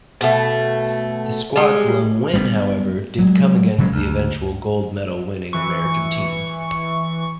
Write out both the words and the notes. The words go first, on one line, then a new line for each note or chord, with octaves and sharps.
The squad's lone win, however, did come against the eventual gold medal-winning American team.
B2 A3
G3 G#3
G3 G#3 B3
F#3 G#3
C#3 F#3 G#3
D2
E3 C#6